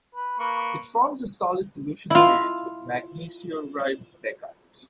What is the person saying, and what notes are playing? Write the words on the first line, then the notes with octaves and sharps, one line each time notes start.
It forms a solid solution series with magnesioriebeckite.
B4
A#3 B4 C#6
E4 F4